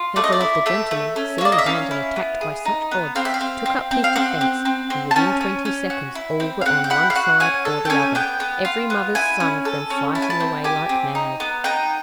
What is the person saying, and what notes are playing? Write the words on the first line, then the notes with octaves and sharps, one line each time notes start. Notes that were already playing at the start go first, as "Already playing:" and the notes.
Several of the gentlemen, seeing Brandon attacked by such odds, took up his defense, and within twenty seconds all were on one side or the other, every mother's son of them fighting away like mad.
Already playing: F4
A3 D5
D#5
D5
E4
A3 E5
A3
C#4
C#5
A#3 D5
D#5
E5
C#4 F5
E4
B3
G#4
D#4
B3
C4 F5
E5
F5
C4
C4
C4
F5
C4 F#5
C4
C4
C4
A5
C#4 G#5
C#4
C#4
F#4
E4
C4
F5
C4 F#5
G5
E4 F#5
F5
F#4 F#5
C#4 G#5
A4
G5
C#4 G#5
B3 G5
B3
F4
B3
E4 G#5
C#4
A4
C#4
E4 A5
G#5
A5
C4
G4 G#5
C4
D#4
B3
D#4 G5